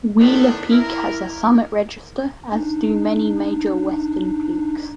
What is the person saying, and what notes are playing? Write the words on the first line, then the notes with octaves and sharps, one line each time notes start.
Wheeler Peak has a summit register as do many major western peaks.
A2 D#3 A3 B3 D4
E4 A#4
D4 D#4